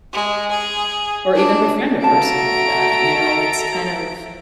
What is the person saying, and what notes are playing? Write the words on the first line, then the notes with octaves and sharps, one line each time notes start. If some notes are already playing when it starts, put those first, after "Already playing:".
or even befriend a person like that, you know, it's kind of
G#3
G#4
D4
F#4 A4 E5 F5 A5 A#5 D7